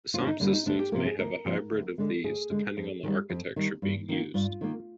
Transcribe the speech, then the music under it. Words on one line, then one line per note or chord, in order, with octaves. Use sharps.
Some systems may have a hybrid of these depending on the architecture being used.
D#2 F4
D4
D#4
D3 G3 A#3 D4
D#4
D2 D4
G4
C3 F3 A#3 A#4
G#4
D2 A#4
C3 F3 A#3
D2
D3 G#3
D2 G#4
D3 G#3
F2
D#3 G3
F2
D#3 G3
G2
D#3 A#3
G2 F4
D#3 A#3